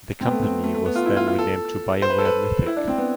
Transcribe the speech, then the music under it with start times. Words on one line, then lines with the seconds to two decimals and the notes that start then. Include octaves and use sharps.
The company was then renamed to BioWare Mythic.
0.21 C4
0.27 B3
0.31 A3
0.43 C4
0.64 A3
0.74 A3
0.86 B3
0.96 F4
1.06 E4
1.17 F4
1.28 F4
1.39 A4
2.02 C5
2.10 B4
2.18 A4
2.25 B4
2.67 E4
2.76 D4
2.88 C4
2.98 B3